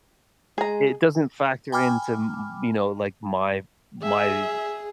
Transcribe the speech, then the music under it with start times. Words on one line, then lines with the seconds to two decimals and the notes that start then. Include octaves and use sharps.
it doesn't factor into m you know, like, my my,
0.58 G#3 G#4 A#5
1.72 G5 G#5 B5 D6 F6
4.03 G#4 E5